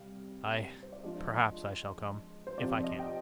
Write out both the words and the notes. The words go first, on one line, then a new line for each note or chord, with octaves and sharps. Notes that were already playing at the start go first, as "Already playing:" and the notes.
I... perhaps I shall come... if I can.
Already playing: C3 G3 F5
C5
D5
F3 G#3 D4 F4 D#5
C5
C3 F3 C4 F4 D5
D#5
G5